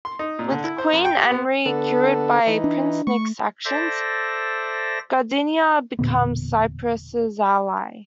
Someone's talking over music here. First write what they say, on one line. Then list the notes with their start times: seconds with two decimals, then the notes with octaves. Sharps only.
With Queen Anri cured by Prince Nick's actions, Guardiana becomes Cypress's ally.
0.05 C6
0.19 D#4
0.39 A#2
0.52 D3
0.64 E4
0.78 C5
0.93 F#2
1.05 G5
1.17 G4
1.31 B3
1.66 D3 B3 A4
2.47 E3 D#4
2.64 D4
3.07 A3 C#6
3.65 A4 C5 D5 E5 A#6
5.99 E1 A#2 D3 B3